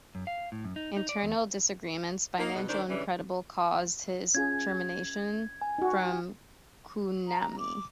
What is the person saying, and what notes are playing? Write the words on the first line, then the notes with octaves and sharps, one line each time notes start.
Internal disagreements, financial and credible, caused his termination from Konami.
F#2
F5
A2
F#2
D#4
D#4
D5
E2
A#3 D#4
B2 G#3 D#4
D#3 G3 D4 C5 D5
C#3 E3 G3 C#4 D4
C#4 F4 G#4 G#6
G#5
D#4 F#4
A#5
D6